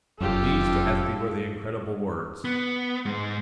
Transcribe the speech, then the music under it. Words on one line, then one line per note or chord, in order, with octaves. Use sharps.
These to Ethne were the incredible words.
F1 F#2 F4 G4 A4
B3
G#2